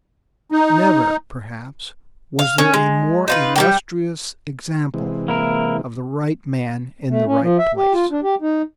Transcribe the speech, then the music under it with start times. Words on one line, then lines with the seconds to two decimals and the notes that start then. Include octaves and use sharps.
Never, perhaps, was there a more illustrious example of the right man in the right place.
0.52 D#4
2.39 F5
2.58 C#4
2.74 G#3
3.28 D#4 F4 B4
3.56 G3 A#3 G5
4.94 C3 E3 G#3
5.28 A#3 E4 A#4
7.11 A3
7.26 C#4
7.42 F3
7.59 E5
7.76 G4
7.94 F4
8.11 D4
8.23 G4
8.42 D#4